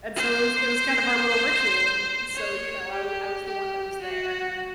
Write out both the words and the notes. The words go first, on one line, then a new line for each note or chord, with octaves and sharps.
And, so, it was it was kind of our little ritual and, so, you know, I wa I was the one that was there, and then,
C5
C#5
G4
G4
F#4